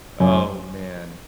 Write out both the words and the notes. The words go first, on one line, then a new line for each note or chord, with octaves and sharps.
Oh man.
F#2